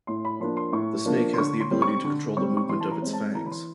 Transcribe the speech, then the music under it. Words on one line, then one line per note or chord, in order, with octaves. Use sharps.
The snake has the ability to control the movement of its fangs.
A2 C6
B5
F3 A#3 D4 C6
C6
A2 C#6
F3 A#3 D4
C6
D3 C#6
C6
G3 C4
C#6
D3
G3 C4 C#6
C#6
E3 C6
A5
A#5
G#3 C4
A5
E3 A#5
B5
C6